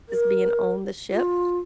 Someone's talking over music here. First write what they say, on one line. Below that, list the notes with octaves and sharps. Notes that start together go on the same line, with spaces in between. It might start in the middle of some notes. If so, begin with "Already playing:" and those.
is being on the ship
A#4
F4